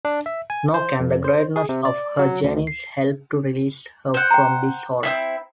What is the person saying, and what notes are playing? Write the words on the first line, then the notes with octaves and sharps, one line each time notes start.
Nor can the greatness of her genius help to release her from this horror.
D4
E5
G#5
C5
F2
C5
G#4
C3
D5
F#3
D2
C7
C5 F#5
G5 A#5
C4 D#4 E4